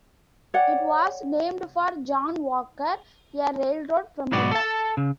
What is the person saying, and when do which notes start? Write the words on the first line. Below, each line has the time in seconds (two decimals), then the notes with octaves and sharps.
It was named for John Walker, a railroad promoter.
0.54 C#5 D5 F#5 G5
4.32 B1 G#2 B3 F#4 D5
4.51 A4 A5
4.97 C#3